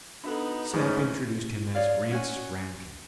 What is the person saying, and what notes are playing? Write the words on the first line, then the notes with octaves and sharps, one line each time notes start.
Snap introduced him as Rance Rankin.
B3 D4 D#4 F#4 A4
G#2 E3 A3 C#4 D#5
G#4 C#5 D5 F5
C#4 F#4 C#5 G#5